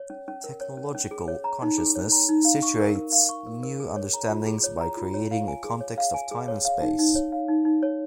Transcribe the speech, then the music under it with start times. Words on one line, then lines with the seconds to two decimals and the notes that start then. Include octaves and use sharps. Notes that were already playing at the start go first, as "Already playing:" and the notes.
Technological consciousness situates new understandings by creating a context of time and space.
Already playing: C#5
0.10 C#4
0.28 C#4
0.44 A#4
0.61 C#5
0.77 C#4
0.94 C#4
1.11 G#4
1.28 C#5
1.44 A#5
1.62 D#4
1.78 G#4
1.95 C#5
2.12 A#5
2.29 D#4
2.45 F5
2.62 C#6
2.79 A#4
2.95 A#4
3.12 F5
3.29 C#6
3.46 A#4
3.63 A#4
3.80 G#4
3.96 C#5
4.13 A#5
4.30 F4
4.47 G#4
4.64 C#5
4.81 A#5
4.97 F4
5.14 C#5
5.31 F5
5.48 G#5
5.64 G#4
5.81 C#5
5.98 F5
6.14 G#5
6.31 G#4
6.48 C#5
6.65 F5
6.81 D#4
6.99 D#4
7.15 C#5
7.32 F5
7.48 D#4
7.65 D#4
7.83 C#5